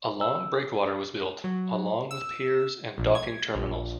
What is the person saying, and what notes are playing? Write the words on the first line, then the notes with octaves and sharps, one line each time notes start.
A long breakwater was built, along with piers and docking terminals.
E6
F#3
E6
A#1
G#6
A#1